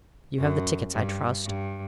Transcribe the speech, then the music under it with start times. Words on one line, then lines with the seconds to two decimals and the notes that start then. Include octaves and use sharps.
You have the tickets, I trust?
0.39 F#2
0.92 G2
1.45 G2